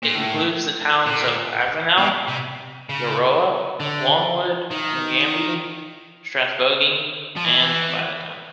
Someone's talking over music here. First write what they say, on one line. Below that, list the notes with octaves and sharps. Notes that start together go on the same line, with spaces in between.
It includes the towns of Avenel, Euroa, Longwood, Nagambie, Strathbogie and Violet Town.
A#2
A2
A#2
B2
C3
C#3
D3
D#3
F3
E3